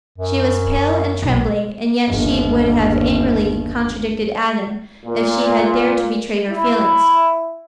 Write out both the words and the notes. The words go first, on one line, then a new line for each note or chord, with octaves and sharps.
She was pale and trembling, and yet she would have angrily contradicted Adam, if she had dared to betray her feelings.
F#2
B1
G1 D#2
A#2
E4